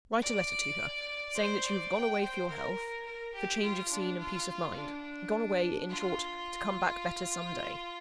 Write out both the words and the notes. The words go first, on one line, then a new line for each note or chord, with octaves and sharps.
Write a letter to her, saying that you have gone away for your health, for change of scene and peace of mind--gone away, in short, to come back better some day.
D5
C5
D5
G5
C5
A#4
A#4
G4
F4
D4
F4
D4
F4